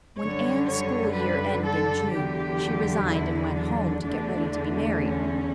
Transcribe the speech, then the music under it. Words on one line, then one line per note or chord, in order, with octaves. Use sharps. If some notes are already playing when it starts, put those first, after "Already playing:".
When Anne's school year ended in June she resigned and went home to get ready to be married.
F#2 D3 G3 C#5
C#5
B4
A4
E2 D3 F#3 G4
E4
D4
E2 D3 A3 D4
C#4